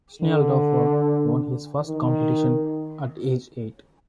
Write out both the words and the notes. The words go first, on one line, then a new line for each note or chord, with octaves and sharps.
Schnelldorfer won his first competition at age eight.
D3
D#3